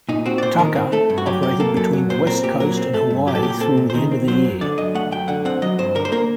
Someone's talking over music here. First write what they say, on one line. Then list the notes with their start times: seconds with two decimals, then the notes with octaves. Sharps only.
"Tucker" operated between the West Coast and Hawaii through the end of the year.
0.09 A#2 D#4
0.26 C4 F#4
0.38 D5
0.42 A#2 C5
0.59 D#3 A#4
0.76 C4
0.92 A3 A4
1.10 G2
1.18 F#4
1.26 F#3 G4
1.43 F#2 G4
1.60 A#3 A4
1.77 F#2 A4
1.93 F#3
2.10 A#2 C5
2.27 C4 A#4
2.43 A#2 G4
2.60 F#3 A#4
2.77 C4
2.94 A3 A4
3.10 G2
3.27 F#3 G4
3.35 A4
3.43 A#2 G4
3.60 C4 A4
3.77 A#2
3.90 C5
3.94 D#3 A#4
4.11 C4
4.28 F#3 C5
4.44 F#2
4.61 D3 D5
4.78 F#2 D#5
4.95 A3 F#5
5.12 F#2 G5
5.28 D3 F#5
5.45 C4 F#5
5.62 F#3 D#5
5.79 G2 C5
5.95 D3 A#4
6.05 C5
6.12 A#3 A#4